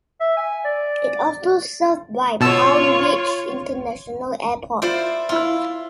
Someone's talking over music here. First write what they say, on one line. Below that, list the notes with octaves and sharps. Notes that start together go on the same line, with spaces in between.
It also served by Palm Beach International Airport.
E5
G#5
D5
B2 F4 C#5 A5 E6
E4 F4 C5 D5
E4 F4 C6